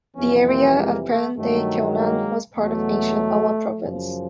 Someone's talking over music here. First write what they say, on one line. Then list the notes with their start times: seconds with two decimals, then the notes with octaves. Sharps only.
The area of present-day Kyonan was part of ancient Awa Province.
0.16 F2 C3 E3 G3 B3 C#4
0.47 A#3 C4
0.77 G#3 A#3
1.07 A3
1.37 G2 D#3 F#3 A3
1.98 G#3 A#3
2.57 E2 B2 F#3 A3
3.79 F#2 C#3 F3